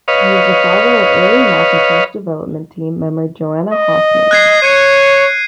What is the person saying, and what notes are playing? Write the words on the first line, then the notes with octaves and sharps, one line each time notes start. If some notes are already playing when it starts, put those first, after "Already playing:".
He is the father of early Macintosh development team member Joanna Hoffman.
B4 C#5 D#5 F5
D#5
F#6 G#6 C7
C#5 C#7 D#7